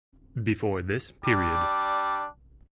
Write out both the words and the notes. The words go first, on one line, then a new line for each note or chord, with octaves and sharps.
Before this period.
G3 D4 D6